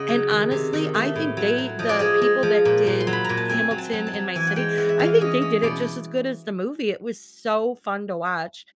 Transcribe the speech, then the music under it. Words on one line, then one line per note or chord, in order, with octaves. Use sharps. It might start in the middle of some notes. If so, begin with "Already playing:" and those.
And honestly, I think they the people that did Hamilton in my city, I think they did it just as good as the movie, it was so fun to watch.
Already playing: C#3 D#5 F#5
F#3
D#3
C3
D#3
A3
A2
F#3
F#3
F3 D#5
D5
G#3 D#5
G#3
F3
A#2
A#2
C6
F#3
B5
A#2 A#5
A5
C4 G#5
F#3
A5
F#3
A5
F#3
E3 G#5
F#5
G#3 G5
E3 F#5
E5
E3 F5
C#4 D#5
C#4
B2 D5